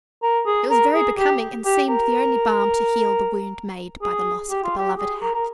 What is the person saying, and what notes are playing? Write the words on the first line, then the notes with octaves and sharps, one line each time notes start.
It was very becoming, and seemed the only balm to heal the wound made by the loss of the beloved hat.
A#4
G#4
A#4
G#4
G4
G4
A#4
G#4
G4
F4
G4
G#4
A#4
A#4